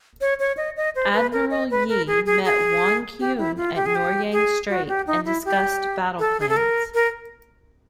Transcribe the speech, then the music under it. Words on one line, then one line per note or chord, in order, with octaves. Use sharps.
Admiral Yi met Won Kyun at Noryang Strait and discussed battle plans.
C#5
C#5
D#5
D#5
C5
B4
A#4
D#5
B4
A#4
G#4
G#4
G#4
G4
E4
F4
G4
G#4
G4
G#4
F#4
G4
D#4
E4
G4
A4
G#4
A4
A#4
A#4